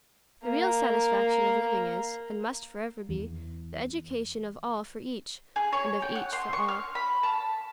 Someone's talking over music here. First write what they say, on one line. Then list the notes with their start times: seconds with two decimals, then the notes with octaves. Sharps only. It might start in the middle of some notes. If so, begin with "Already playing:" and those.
The real satisfaction of living is, and must forever be, the education of all for each, and of each for all.
0.45 A#3 A#5
3.09 E2
5.56 G#4
5.72 C#5
6.02 G5
6.15 F#5
6.33 C6
6.53 C#6
6.68 F6
6.95 B5
7.23 A5